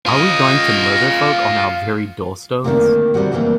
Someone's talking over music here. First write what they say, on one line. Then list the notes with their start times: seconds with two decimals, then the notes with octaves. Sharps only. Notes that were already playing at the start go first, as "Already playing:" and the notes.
Are we going to murder folk on our very door-stones?
0.06 F4 D#5
2.64 D3 D#3 G3 A3 A#3 C4
3.14 C3 G3 C4 F#4 G4
3.32 C#3 E3 A3 A#3 C4